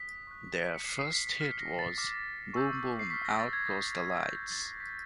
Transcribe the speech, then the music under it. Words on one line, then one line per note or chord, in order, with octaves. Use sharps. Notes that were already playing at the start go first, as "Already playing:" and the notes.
Their first hit was "Boom Boom Out Goes The Lights".
Already playing: D#6 F#6 B6
C#6 F#6
C#7
D6 F6 C7
C7
B6
B6
D6 F6 B6
A#6
A6
D6 F6
C#6 E6 G6
C7
C#6 F6 B6
A#6
A6
G#6
D#6 G6
G#6
D#6 F#6 G6
G#6
A6
A#6
C#6 F#6 B6